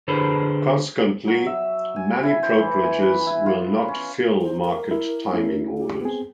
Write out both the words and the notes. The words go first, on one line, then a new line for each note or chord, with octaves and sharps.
Consequently, many brokerages will not fill market-timing orders.
D3 G#4 A4 B4 C5
F#3
E5
G#5
E4
C5
E3
G#5
B4
E4
F4
C#4
C5
A#4
E4
A3 C#4 E4
G4
B3 C4 G#4